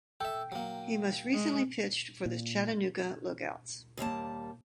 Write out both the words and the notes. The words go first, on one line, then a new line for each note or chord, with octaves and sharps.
He most recently pitched for the Chattanooga Lookouts.
A4 E5 G5
F#3 A#3
G#3
A#2
D#2 G3 A#3 A5